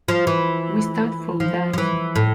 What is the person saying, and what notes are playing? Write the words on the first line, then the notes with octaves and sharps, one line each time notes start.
We start from that.
F3
E3
F3
F3
E3
A2